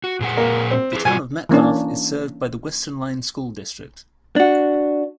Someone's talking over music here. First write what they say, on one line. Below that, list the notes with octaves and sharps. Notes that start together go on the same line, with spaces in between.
The Town of Metcalfe is served by the Western Line School District.
F#4
A#2 G#4 F#5
A#3
C4
E4 G4 G#4
B2 F4 F#4 G#5
E3 A#3 C#4 D4
D4 F#4